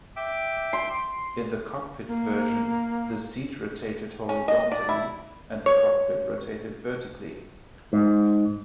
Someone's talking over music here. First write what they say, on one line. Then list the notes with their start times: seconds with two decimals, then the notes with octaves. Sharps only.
In the cockpit version, the seat rotated horizontally, and the cockpit rotated vertically.
0.16 E5 G5 D6
0.73 C6
2.08 A#3
4.29 C#4
4.48 D#5
4.72 D5
4.89 E4
5.66 C#5
7.93 G#2